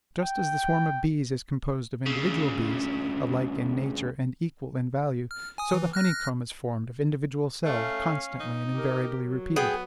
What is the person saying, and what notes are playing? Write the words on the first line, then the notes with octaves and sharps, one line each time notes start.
Just as the swarm of bees is composed of individual bees, alike in nature and equal in value, so the honeycomb is formed of individual cells, constantly and invariably repeated.
G5
D2 C#3
F6
G#5 D#6
E3
F6 F#6 A#6
A3 C#4 F5
D#4
G4 A#4
F#3
B3 G#4 G5